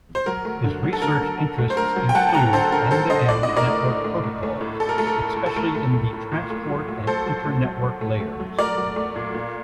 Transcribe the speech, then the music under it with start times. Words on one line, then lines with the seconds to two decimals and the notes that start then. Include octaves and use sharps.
His research interests include end-to-end network protocols, especially in the transport and internetwork layers.
0.15 C5
0.26 F#3 A#4
0.45 A3
0.64 D3
0.83 F#3
0.93 A4
1.02 D3 A#4
1.21 D3
1.39 D3
1.58 A3
1.70 C5
1.77 A3 A#4
1.96 F#3
2.09 G5
2.15 F#3 F#5 A5
2.29 A5
2.34 A3 G5 A#5
2.53 D3 A4 C5
2.72 D3 A#4
2.91 D3 A4 C5
3.10 D3 C5 D#5
3.29 A2 D5
3.43 D#5
3.48 A2
3.56 A#4 D5
3.67 A3
3.86 A3
4.04 A3
4.24 A3
4.43 A3
4.61 A2
4.80 A2 A4
4.89 A#4
4.98 A3 A4
5.07 A#4
5.16 A2 A4
5.36 A2
5.46 A4
5.56 A3 A#4
5.75 A3
5.93 A3
6.13 A2
6.32 A#2
6.50 A3
6.69 F#3
6.88 A3
7.07 A3 A4 C5
7.26 F#3
7.45 A3
7.64 F#3
7.82 F#3
8.01 A3
8.20 A3
8.40 F#3
8.59 A3 A#4 D5
8.78 F#3
8.96 A3
9.16 A#2
9.34 A#2